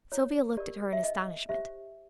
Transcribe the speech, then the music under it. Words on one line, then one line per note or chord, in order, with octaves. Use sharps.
Sylvia looked at her in astonishment.
E4 C#5
G4 A#4 D5
E5
D#4 D#5
G4 C5 E5